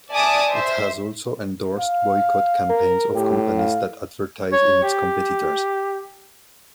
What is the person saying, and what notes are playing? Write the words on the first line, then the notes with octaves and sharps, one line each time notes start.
It has also endorsed boycott campaigns of companies that advertise in its competitors.
D5 E5 G#5 A5 D6 D#6
C5 E5
F5
A#4
A2 G4
F5
C#5
G4